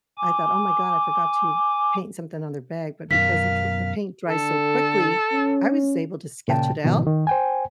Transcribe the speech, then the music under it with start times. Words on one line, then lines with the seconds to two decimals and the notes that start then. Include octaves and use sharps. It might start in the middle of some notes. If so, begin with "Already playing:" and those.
I thought, "Oh my god, I forgot to paint something on their bag", but because the dr the paint dries so quickly, I was able to sketch it out
0.18 G#5 D6
3.11 F#2 B2 D#3 A#4 F5 B6
4.28 D3 A4
5.32 C#4
6.48 A#2 C#3 G5 A5
6.84 G#2 B2 D#3 F3
7.07 D#3
7.27 C5 G5 G#5